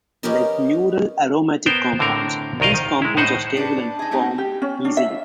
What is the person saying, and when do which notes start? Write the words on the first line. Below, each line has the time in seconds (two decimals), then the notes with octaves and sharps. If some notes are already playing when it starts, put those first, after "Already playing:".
Like neutral aromatic compounds, these compounds are stable and form easily.
0.23 B3 C#4 G4 A#4 D#5
1.66 B3 A#4 C5 G5
1.99 A2 D3 C4 A#4
2.60 C2 D#3 A#4 D#5 F5
2.74 D#3
3.02 G#3 E4
3.17 A2 D#4 C5 F#5
3.57 D4 B4
3.99 D#4 G#4
4.11 A3 C4 C#4 D#4
4.38 G4
4.62 C#4
4.85 D4
4.97 E5